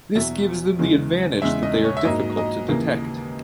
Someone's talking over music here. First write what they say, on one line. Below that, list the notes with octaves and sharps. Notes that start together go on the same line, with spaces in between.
This gives them the advantage that they are difficult to detect.
E2 B2 F#3 E5
E2 C#3 E3 G#3
E2 C#3 G#3 E5
D#5
C#5
E5
G#2 F#3 A#3 D#5
D#5
D#2 C#3 E3 A#3